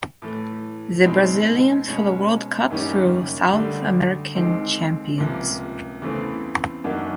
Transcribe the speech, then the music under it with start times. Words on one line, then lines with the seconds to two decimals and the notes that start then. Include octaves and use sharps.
The Brazilians for the world cup through South American champions.
0.22 A2 E3 A3
1.05 B2 G#3 C4 D#4
1.88 B2 G#3 C#4
2.70 F#2 D#3 G3 A#3 C#4
3.53 D2 D3 G3
4.35 D#2 D#3 G#3 C4
5.18 C#2 C3 F3 A#3
6.02 E2 C#3 E3 A3 C4
6.84 F#2 D#3 F#3 A#3 D4